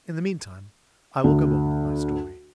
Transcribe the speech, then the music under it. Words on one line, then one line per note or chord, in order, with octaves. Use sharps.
In the meantime, I will go on with my story.
D2